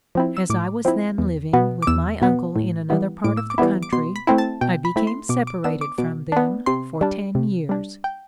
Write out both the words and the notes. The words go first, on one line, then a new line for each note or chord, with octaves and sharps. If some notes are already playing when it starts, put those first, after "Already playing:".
As I was then living with my uncle in another part of the country, I became separated from them for ten years.
F3 C4 E4
E6
A2 D6
F3 C4 E4
E2
B2 B3
D6
E2 E6
B2 B3
A2
E3 G3 B3 E4
A2 D6
E6
D6
E3 G3 B3 E4
D6
B2 C6
B5
A3 C4 E4
A5
B2 G5
B5
A3 C4 E4 B5
C6
B2 D6
D6
B3 D4 E6
D6
B2 D6
B3 D4
C3 C6
G3 D4
C3
G3 D4
G5